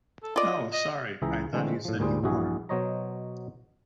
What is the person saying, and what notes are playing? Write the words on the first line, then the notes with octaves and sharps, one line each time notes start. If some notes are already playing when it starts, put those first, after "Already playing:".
Oh, sorry, I thought you said you were.
A4
F4 D5 D#5
D#5
C#2 E3 G#4 E5 G5 A#5
D3 E3 G#3 A3 C4
A2 F3
D2 A#2 G3 G#4 C5
A#1 G2 E3 E4 F#4 G#4
B2 F#3 C5 C#5 D#5 A#5